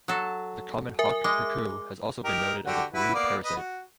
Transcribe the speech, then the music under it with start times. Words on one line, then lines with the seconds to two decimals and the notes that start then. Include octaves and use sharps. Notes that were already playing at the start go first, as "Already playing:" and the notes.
The common hawk-cuckoo has also been noted as a brood-parasite.
0.08 F#3 A4
0.99 A#4 E5 G#5
1.24 G#3 D6
2.24 D#4 G4 A#4
2.66 D3 F#4 G4
2.94 E4 F#4 B4
3.14 A#3 B3 D5
3.44 B4 D#5
3.56 F#4